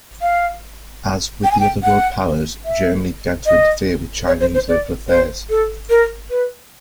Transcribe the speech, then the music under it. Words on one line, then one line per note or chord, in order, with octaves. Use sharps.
As with the other world powers, Germany began to interfere in Chinese local affairs.
F5
G5
G#5
G5
F#5
E5
D#5
C#5
C5
C5
D5
C5
A4
A#4
B4